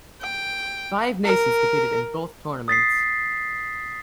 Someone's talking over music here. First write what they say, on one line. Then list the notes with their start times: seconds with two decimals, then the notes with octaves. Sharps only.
Five nations competed in both tournaments.
0.21 G5
1.25 A#4
2.68 D#6 A6 B6 C7